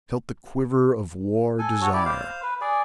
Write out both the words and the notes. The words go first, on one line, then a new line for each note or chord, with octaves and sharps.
He felt the quiver of war desire.
A4 G#5
F#4 A4 C#5
E4 G4 D5
C5 F5
B4
G#4 D5